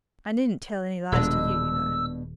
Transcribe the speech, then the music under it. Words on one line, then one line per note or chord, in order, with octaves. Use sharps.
I needn't tell any lies to you, you know.
D#1 B2 G#3 D4 E6